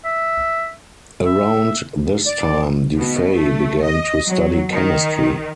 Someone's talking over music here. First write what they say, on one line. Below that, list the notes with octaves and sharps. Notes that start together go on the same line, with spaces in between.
Around this time du Fay began to study chemistry.
E5
E5
D5
B2
A3
D#5
F#3
D#3